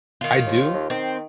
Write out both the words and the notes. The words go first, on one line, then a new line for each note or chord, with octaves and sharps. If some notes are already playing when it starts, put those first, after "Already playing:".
I do.
D#3 F4
D#2
D#2
D#3 C4